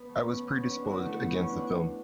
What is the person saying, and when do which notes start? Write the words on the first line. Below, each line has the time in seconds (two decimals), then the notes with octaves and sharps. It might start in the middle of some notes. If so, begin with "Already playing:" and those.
I was predisposed against the film.
Already playing: B3
0.09 A3
0.23 C#4
0.28 B3
0.47 B3
0.62 C#4
0.77 D4
0.85 F#4
0.90 E4
1.06 A3
1.20 B3
1.34 C#4
1.49 D4
1.63 D4
1.81 D4